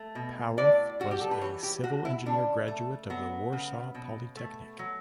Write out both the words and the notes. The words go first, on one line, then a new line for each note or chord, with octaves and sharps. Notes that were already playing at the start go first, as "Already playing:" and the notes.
Palluth was a civil-engineer graduate of the Warsaw Polytechnic.
Already playing: A3
B2
A2 D5
G3 F#4
G4
A4
B4
E3 C#5
G4
A2 F#4
E4
C#3 D4
A3
F#3 B3
C#3
B2
A3
F#3